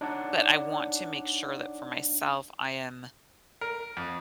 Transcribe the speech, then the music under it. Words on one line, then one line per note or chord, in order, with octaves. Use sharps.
but I want to make sure that for myself, I am
D4 D#4 C#5 D5 F#5 A5
A#4
F2